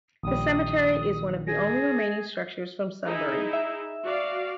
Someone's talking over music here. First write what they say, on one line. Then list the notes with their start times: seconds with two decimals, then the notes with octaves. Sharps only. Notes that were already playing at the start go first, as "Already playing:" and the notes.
The cemetery is one of the only remaining structures from Sunbury.
0.23 A#1 D#3 G3 D#6
1.47 G#4 A#6
3.05 D#4 E4 G#4
3.53 E5
4.04 F#4 D5 F5